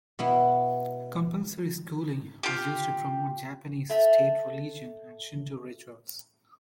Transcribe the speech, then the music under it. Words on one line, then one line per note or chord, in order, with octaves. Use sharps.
Compulsory schooling was used to promote Japanese state religion and Shinto rituals.
B2 B3 E4
F4 G4
A3 E5